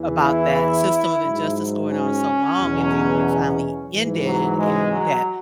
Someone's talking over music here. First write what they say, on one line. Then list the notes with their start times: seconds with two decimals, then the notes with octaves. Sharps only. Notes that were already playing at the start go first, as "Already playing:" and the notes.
about that system of injustice going on so long and then when it finally ended and that,
Already playing: E2 E3
0.23 E4
1.23 G#2 F#3
1.90 C#4
2.56 E2 B2 F#3
3.91 G#2 E3
4.24 F#3
4.57 G#3
4.91 F#3